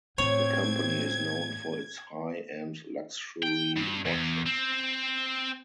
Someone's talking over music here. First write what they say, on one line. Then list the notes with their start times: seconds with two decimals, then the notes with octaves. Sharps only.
The company is known for its high end luxury watches.
0.18 A2 C4 C#5 G#6
3.43 G5
3.77 G2
4.05 E2
4.46 C4